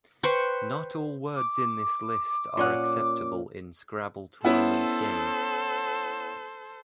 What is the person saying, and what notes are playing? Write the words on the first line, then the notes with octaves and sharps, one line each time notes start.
Not all words in this list are acceptable in "Scrabble" tournament games.
B4 C5 G5 C#6
D6
A#2 C#4 F#5
B3 C#4 E4 A4 C5